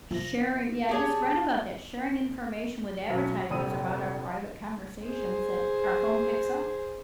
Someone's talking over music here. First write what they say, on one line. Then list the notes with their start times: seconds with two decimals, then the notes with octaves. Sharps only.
sharing yeah, I just read about that, sharing information with advertisers about our private conversations that our phone picks up.
0.11 C2 F3 F4 A#6
0.89 G4 G#4 C#5 A5
3.09 B1 F#2
3.50 F1 A#1 D#6 E6 D#7
5.06 G#4 C5